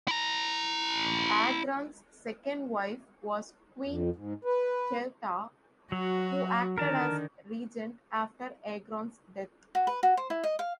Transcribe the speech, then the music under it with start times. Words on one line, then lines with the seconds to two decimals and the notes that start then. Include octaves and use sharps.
Agron's second wife was Queen Teuta, who acted as regent after Agron's death.
0.08 E4 A#5
3.86 F2
4.16 G#2
4.45 B4
5.92 F#3 F#4
6.78 D3 D#3 A#4 A5
9.75 F#4
9.87 B4
10.03 F#4
10.17 C5
10.30 E4
10.44 D#5
10.59 F5